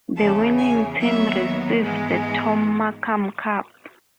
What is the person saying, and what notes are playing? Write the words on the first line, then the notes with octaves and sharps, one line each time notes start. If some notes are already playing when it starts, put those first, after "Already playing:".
The winning team receives the Tom Markham Cup.
E2 C#3 E3 A5
G#5
D#2 D#3 F#3 B3 E5
G#2 E3 G#3 B3